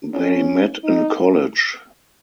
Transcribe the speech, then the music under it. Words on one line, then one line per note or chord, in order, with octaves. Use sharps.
They met in college.
C#4
D#4